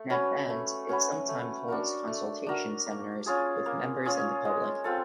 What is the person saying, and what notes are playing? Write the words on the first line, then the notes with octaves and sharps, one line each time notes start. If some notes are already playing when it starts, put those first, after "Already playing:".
In advance it sometimes holds consultation seminars with members and the public.
Already playing: A3
C#4 F#4 B4
A3
C#4 F#4 B4
A3
D4 F#4 A#4
A3
D4 F#4 A#4
A#3
C#4 F4 G#4
A#3
C#4 F4 G#4
G#3
C4 F4 A4